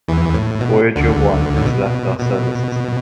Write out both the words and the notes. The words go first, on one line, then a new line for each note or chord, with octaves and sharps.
Voyager One has left our solar system.
E2 E3
A2
B2
D2 D3
A2
B2
B2